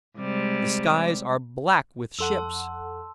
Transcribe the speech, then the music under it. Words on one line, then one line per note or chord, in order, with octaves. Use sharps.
The skies are black with ships.
C3 G3 G#3
F2 A4 F#5 A5 C6 E6